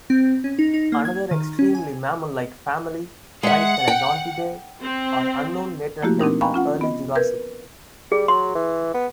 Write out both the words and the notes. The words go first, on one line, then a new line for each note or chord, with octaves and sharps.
Another extremely mammal-like family, Tritheledontidae, are unknown later than the Early Jurassic.
C4
C#4
D#4
D#4
A#3
G#6
D#3
C#4
G#5
G#3 E5 F#5
G5
C4
F3 A3 A#3 E4 F#4 G4
C4 D4 D#4 A#4
F5 G5 G#5 A#5 B5 C#6
C#4 F4 F#5
B3 D#5
A#4 B4 G6 G#6
G3 G#4
F#3 C6
E3
B3